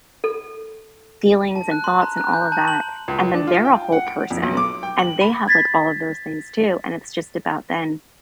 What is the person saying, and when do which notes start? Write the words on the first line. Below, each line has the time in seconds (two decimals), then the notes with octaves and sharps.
feelings and thoughts and all of that. And then they're a whole person and they have, like, all of those things, too, and it's just about then
0.24 A4
1.56 A5
1.71 F#6
1.84 C6
2.02 A#5
2.18 F#6
2.33 G6
2.52 A5
2.68 F#7
3.08 C#2
3.33 D4
3.47 F4
3.65 G5
3.92 F#5
4.07 D7
4.31 F2
4.42 B1
4.57 D6
4.83 G5
4.99 F#7
5.21 B5
5.48 G#6 A6 B6